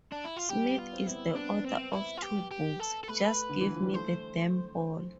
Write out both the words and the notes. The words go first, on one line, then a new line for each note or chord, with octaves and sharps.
Smith is the author of two books: Just Give Me the Damn Ball!
D4
E4
F4
G3 G4
B3
F4
C4
B3 E4
C4
B3 D4
C4
E4
F4
G4
G4
A4
A4
A3 B4
D3
E3
F3
G3
A3 C5